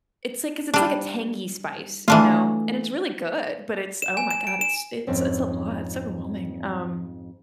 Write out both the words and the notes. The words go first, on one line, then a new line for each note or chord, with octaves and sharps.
it's like 'cause it's like a tangy spice, you know, and it's really good, but it's, oh, my god, it's it's it's a lot, it's overwhelming, um
G3 D4
E3 A3 D4 F4
E7
G#5
E7
D7
E7
F2 G#2 C4 C#4